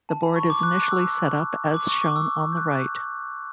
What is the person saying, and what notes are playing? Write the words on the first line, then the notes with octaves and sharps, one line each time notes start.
The board is initially set up as shown on the right.
A5
B5
C#6
D6
F#6
D6
E6
D6
C#6
D6
E6
G6
F#6